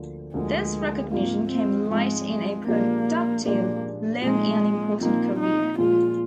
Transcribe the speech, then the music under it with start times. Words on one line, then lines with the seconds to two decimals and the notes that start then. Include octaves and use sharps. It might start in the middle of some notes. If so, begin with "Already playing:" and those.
This recognition came late in a productive, long and important career.
Already playing: D2 D3 F3 A#3 D4
0.34 D2 D3 F3 G#3 A#3 D4
1.11 G#2 F3 A#3 C4 F4
1.50 C4
1.89 G#2 F3 G#3 C4 F4
2.28 G#3
2.67 A#2 F3 G#3 A#3 D4 G4
3.45 A#2 F3 G#3 A#3 D4 G4
4.22 A#2 F3 G#3 C4 D#4
5.01 A#2 F3 A#3 C4 D#4
5.40 D#4
5.78 A#2 F3 G#3 F4